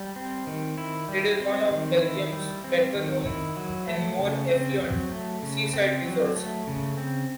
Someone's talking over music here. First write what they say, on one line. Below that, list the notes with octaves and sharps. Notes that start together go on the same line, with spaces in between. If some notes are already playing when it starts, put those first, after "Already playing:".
It is one of Belgium's better-known and more affluent seaside resorts.
Already playing: G3
C4
D#3
E4
G3
C4
D#3
E4
G3
C4
D#3
E4
F#3
A3
C#3
C4
F#3
A3
C#3
C4
F#3
A3
C#3
C4